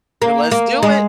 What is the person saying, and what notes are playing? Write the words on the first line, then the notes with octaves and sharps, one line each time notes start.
Let's do it.
A#3
A#3
G#3